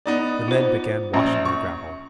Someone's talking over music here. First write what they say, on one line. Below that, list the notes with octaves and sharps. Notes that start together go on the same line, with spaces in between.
The men began washing the gravel.
B3 D#4 D5
F4 C5
A#1 F#2 C#4
C#6